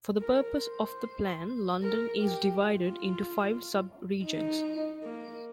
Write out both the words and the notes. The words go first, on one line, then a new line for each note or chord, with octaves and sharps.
For the purposes of the plan, London is divided into five sub regions.
A#4
C5
A#4
G4
F4
D#4
A#3